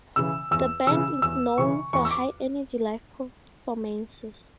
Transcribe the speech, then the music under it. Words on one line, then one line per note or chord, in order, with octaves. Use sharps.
The band is known for high energy live performances.
C#3 E3 E6
E2 E6
C#3 E3 E6
E2 E6
C#3 E3 C#6
E2 C#6
E6
D6